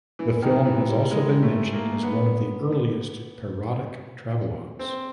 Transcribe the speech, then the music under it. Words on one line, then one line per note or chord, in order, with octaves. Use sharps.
The film has also been mentioned as one of the earliest parodic travelogues.
E3
D#3
E3
G3
G#3
A3
A#3
B3
C4